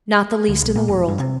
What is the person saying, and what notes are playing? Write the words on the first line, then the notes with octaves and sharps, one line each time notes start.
"Not the least in the world."
D2
B1
A#2
E1
G2
C3